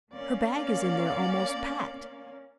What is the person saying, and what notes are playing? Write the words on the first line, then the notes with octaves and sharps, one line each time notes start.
Her bag is in there almost packed.
A#3 C#4 D5 F5